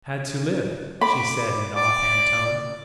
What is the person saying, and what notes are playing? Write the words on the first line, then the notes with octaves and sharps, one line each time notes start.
"I had to live," she said in an off-hand tone.
B5 D6
D5 D6